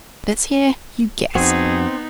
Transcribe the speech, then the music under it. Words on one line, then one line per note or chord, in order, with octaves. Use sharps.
Let's hear you guess.
F2 B3 C4 D#4 F#4 G#4